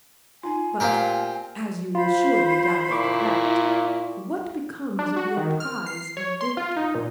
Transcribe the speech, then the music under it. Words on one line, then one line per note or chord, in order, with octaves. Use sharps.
But, as you will surely die before that, what becomes of your prize of victory?
D#4 F4 G#5
A#2 A3 A#3 C4 G4 A#4 F5 A#5
F4 C5 B5
A#2 E4 C#6 D6
D4
F#4
D#3
F6
C7
C#5
C6
F4
D#4
A#2